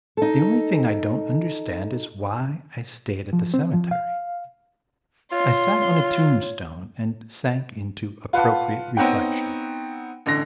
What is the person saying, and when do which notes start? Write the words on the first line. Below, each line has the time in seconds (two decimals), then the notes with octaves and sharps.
The only thing I don't understand is why I stayed at the cemetery; I sat on a tombstone and sank into appropriate reflections.
0.17 D#4 A4
3.33 F3
3.54 C4
3.74 F3
3.91 F5
5.32 F4 C#5 C6
8.33 F4 B4 F#5 A5
8.97 B3 C4 D#4 C#5 F#5 G5
10.26 A1 D3 A#6